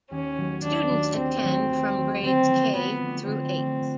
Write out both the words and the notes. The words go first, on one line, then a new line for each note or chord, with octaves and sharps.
Students attend from grades K through Eighth.
D#2 C#4
D#3 F#3 A3
D#2 D4
D#3 F#3 A3
D#2 C4
D#3 F#3 A3
D#2
D#3 F#3 A3
D3 C4
F3 A3 D4
D3 B3
F3 A3 D4
D3 C4
F3 A3 D4
D3